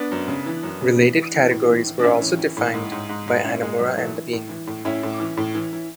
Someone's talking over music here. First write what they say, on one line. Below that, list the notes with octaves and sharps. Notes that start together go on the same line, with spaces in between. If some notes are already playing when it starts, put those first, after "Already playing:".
Related categories were also defined by Hanamura and Levine.
Already playing: B3 D4
F#2
C#3
E3
F#2
C#3
E3
E3
E3
A2
E3
E3
D4
A2 C#4 E4
E3
E3
A2
G#2
G#2
G#2
G#2
G#2 C#4 E4
G#2 G#3
G#2 F#3
E3 F#3 A3
E3
A2
E3
A2
A2 C#4 E4
A2
E3
A2
E3
E3